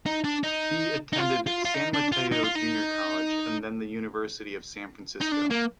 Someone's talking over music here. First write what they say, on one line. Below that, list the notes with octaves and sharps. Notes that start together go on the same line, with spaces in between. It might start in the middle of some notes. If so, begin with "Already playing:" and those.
He attended San Mateo Junior College and then the University of San Francisco.
D#4
D4
D#4
D#4
F4
F4
F4
D#4
D4
F4
D#4
F4
D#4
D#4
D4
A#3